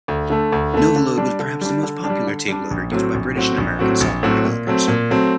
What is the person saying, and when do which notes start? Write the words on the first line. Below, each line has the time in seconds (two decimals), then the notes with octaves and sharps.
Novaload was perhaps the most popular tape-loader used by British and American software developers.
0.08 D2
0.30 D3 A3
0.52 D2
0.74 D3 A3
0.96 D3
1.18 G3 D4
1.39 D3
1.61 G3 D4
1.83 D3
2.04 D4
2.10 G3
2.27 D3
2.48 G3 D4
2.71 A#1
2.92 A2 F#3 C4 F#4
3.14 A#1
3.36 A2 F#3 C4 F#4
3.58 A#1
3.79 A2 F#3 C4 F#4
4.01 A#1
4.23 A2 F#3 C4 F#4
4.45 A#2
4.67 F#3 A3 C4
4.88 A#2
5.10 F#3 A3 C4